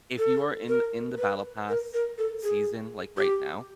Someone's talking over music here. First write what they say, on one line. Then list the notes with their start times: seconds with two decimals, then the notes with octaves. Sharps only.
If you are in th in the BattlePass season, like, right now,
0.19 A4
0.69 A#4
1.18 B4
1.69 A#4
1.94 A#4
2.18 A4
2.44 G#4
3.18 G4